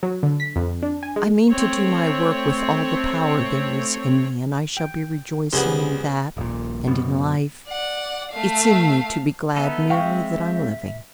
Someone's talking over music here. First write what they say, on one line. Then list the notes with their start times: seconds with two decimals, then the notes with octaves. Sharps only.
I mean to do my work with all the power there is in me, and I shall be rejoicing in that and in Life--it's in me to be glad merely that I'm living.
0.03 F#3
0.23 D3
0.40 B6
0.56 F2
0.83 D4
1.03 G#5
1.16 G#3
1.50 A3 C4 C#5
4.77 G5
5.53 C#2 G3 B3 G#4 C5
6.37 D#1 A#1 A#2
6.87 F#2 B2
7.68 D5 F#5
8.33 A3 F5
9.56 B3 D#4 A4 E5
9.90 G#3 C4 F5 G5 C#6